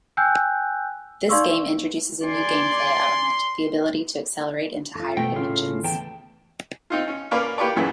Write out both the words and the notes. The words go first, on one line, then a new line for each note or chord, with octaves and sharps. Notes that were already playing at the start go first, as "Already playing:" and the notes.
This game introduces a new gameplay element: the ability to accelerate into higher Dimensions.
G5 G#5 E6 F#6 G6
D#4 D5 F5 C6 C#6 E6
D5 G#5 C6
F4 A4
B2 A3 G5
A2 C#3 F4
E2 G5 A5
C4 D#4 F4
C#4
A#3 C#4 B4 D5 F5
A#3 G4 B4 C#5 D5
F#2 A#2 C#3 E3